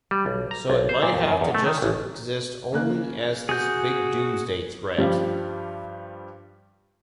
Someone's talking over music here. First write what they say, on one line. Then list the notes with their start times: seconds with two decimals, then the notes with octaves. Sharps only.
So it might have to just exist only as this big doomsday threat.
0.11 G3
0.26 B1
0.51 A#5
0.70 B1
0.89 C5
1.03 A#2
1.14 D#2
1.28 F#2
1.41 E2
1.55 A3
1.66 D#3
1.82 A1
2.72 C#3 A#3 F#6
3.49 F#4 G#4 G6
4.98 G2 F3 G3